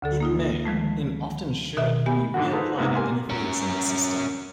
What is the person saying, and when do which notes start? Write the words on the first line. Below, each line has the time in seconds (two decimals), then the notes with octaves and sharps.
It may, and often should, be re-applied at any phase in the System.
0.02 D2 D3 A4
0.20 A#3 D#4 F4
0.65 D#3 F3 G#3 A3
1.77 B2 D#3 A#4 D#5 E5
2.06 B3 G4 G#5 B5
2.34 G#2 D3 A3 F#4
2.51 D#4 F4 G#4 A4 B4 C5
2.77 G#2 C3 G#3 A#3 B3
2.95 G4 A#4 G#5 C6
3.30 C#4 A#4